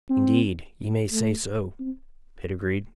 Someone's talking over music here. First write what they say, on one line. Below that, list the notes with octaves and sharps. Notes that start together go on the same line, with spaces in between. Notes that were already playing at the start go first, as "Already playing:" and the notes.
"Indeed, ye may say so," Pitt agreed.
C4
A3
C4